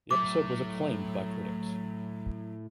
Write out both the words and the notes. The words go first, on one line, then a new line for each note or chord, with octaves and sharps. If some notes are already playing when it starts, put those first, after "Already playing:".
The episode was acclaimed by critics.
A2 F#3 A3 D6